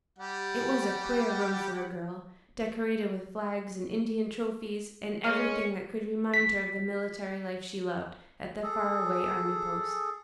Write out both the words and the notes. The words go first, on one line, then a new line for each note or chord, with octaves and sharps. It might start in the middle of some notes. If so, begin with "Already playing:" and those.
It was a queer room for a girl, decorated with flags and Indian trophies and everything that could remind her of the military life she loved, at the far-away army post.
G3 G4 F#5
G#3 C#4 F6
B6
G#4 A4